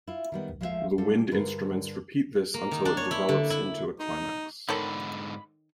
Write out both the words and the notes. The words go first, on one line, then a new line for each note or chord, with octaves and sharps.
The wind instruments repeat this until it develops into a climax.
E4 F4
D#3 G3 B3
F3 G#3 A3 G#4 E5 F5
G3 F4 A4
G2 D3 G#4 A#4 B4
A#3
D#3
D4
C#5
E4
D3
E4
D#4
G#2 D3 D#3 A4 C#5 B5